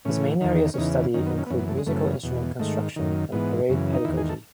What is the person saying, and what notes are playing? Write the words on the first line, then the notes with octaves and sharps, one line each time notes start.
His main areas of study include musical instrument construction and parade pedagogy.
A2 E3 C#4
E2 D#3
C#4
E2 C#3 E3 D#4
F#2 D#3 C#4
B3
C#4
B3
F#2 E3 C#4
B3
A3
G#3
F#2 C#3 E3 A3
E2 B2
G#2 D#3 A3
F#2 D#3
G#2 E3 B3
F#2 C#3 E3
D#4
E2 D#3 E4
G#4
A4